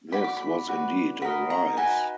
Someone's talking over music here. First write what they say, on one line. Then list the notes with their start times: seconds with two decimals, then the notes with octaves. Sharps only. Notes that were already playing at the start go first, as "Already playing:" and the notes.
This was indeed a rise.
0.12 F#4 D5 B5
0.24 D6
0.37 B5
0.67 F#4 B4 D5
1.22 F#4 A#4 D#5 B5
1.50 A#5
1.77 D#4 F#4 B4 G#5